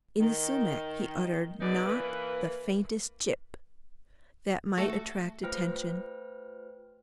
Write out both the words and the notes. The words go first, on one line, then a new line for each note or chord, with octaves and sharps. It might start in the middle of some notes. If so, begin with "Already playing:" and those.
In the sumac he uttered not the faintest "Chip!" that might attract attention.
D#3
F#2 B2 D#4 G#4 B4 D5
E3 A#3 B4
A3 F#4 A4
A3 F4 B4 C5 G5 F6